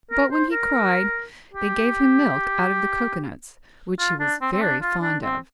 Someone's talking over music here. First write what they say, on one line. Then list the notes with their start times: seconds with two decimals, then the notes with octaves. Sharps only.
But when he cried they gave him milk out of the cocoanuts which he was very fond of.
0.11 A#4
0.31 C5
0.52 A#4
1.54 G4
3.99 F4
4.20 D4
4.41 C4
4.52 C4
4.62 D4
4.82 F4
5.02 D4
5.23 C4